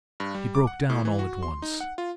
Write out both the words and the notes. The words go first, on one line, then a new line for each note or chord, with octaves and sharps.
He broke down all at once.
G2
G3
D6
F#5
A2
E3
F#4
C6
D#4
F#5
F4